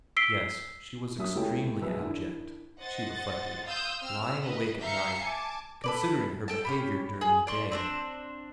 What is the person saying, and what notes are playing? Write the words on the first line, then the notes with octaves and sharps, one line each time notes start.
Yes, she was extremely abject, she reflected, lying awake at night considering her behaviour during the day.
E6 B6 C7 D7 G7
F#2 F#3 E5 D#6
C#2 C#3 A3 E4 G4 G5
B1 F2 G#3 B4 E5 E6
D#3 D4 E4
C5 D#5 F#5 A6
F5 C6 D#6 E6 G6
C4 E6 F6
B4 D#5
E5 F5 A#5 G6 C7 C#7
G#5 A5 D6
A4 B4 D5
A4 G5 A5
C#4 G4 B5
G#4
D5 C6 C#6
C4 D4 C5